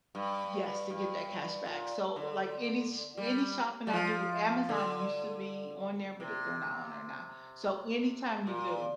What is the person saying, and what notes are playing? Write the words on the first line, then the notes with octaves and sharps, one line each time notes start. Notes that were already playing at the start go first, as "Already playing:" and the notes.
Yes, to get that cash back, so like any s any shopping I do Amazon used to be on there, but it they're not on there now, so anytime you do
G2
G2
A#2
D3
G3
G3
F3
D3
C3
A#2